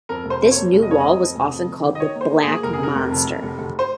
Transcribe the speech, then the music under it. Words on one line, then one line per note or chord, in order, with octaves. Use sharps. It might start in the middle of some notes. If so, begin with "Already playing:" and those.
This new wall was often called The Black Monster.
F2 A#4
F1
C5
F2 C5
C#5
A#3
F1
D#5
F2 C#5
F2 D#5
F2
F1
F2
F1
D#3
D#5
D#3 C#5
A#3
C5
A#3
G#4
A#3
F1 A#4
G#4
C3 A#4
F1
F2
F2
F1
F1
C5